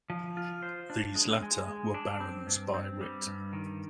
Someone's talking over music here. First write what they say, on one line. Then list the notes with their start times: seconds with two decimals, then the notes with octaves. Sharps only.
These latter were barons by writ.
0.10 F3
0.37 F4
0.63 C5
0.90 D4
1.15 G#3
1.42 G#3
1.68 G#3
1.94 D4
2.20 C4
2.47 G2
2.74 C4
3.01 G3
3.27 G2
3.53 D#3